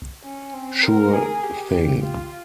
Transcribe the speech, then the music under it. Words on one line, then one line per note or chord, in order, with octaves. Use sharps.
Sure thing.
C#4
C4
A#4
G#4
G4
F4